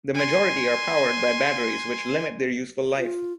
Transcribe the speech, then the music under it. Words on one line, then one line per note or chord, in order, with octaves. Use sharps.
The majority are powered by batteries which limit their useful life.
G#5 C6
F4